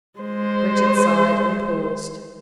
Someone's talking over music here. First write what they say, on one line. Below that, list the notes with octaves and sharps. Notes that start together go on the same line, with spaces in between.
Bridget sighed and paused.
G#3 C5